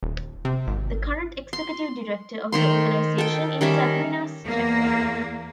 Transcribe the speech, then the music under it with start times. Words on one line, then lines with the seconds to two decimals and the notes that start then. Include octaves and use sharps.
The current executive director of the organization is Sabrina Schaeffer.
0.03 D#1
0.45 C3
0.67 G#1
1.53 C6
2.52 D#3 C5 C6
3.18 A4 G5
3.61 D#3 G3 C#4 E5
4.45 E2 A#3